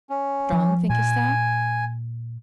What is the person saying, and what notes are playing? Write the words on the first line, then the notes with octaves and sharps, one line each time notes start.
"Strong, thinkest thou?"
C#4
F3
A#2 G#5